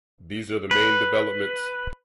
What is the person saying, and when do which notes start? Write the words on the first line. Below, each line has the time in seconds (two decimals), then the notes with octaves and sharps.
These are the main developments.
0.71 B4